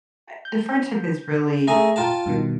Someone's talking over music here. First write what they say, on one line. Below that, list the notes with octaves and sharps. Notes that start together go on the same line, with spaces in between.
eh, the friendship is really
G6
A3 G#4 G#5 A#5
F4 G5 A5
G2 B2 D#3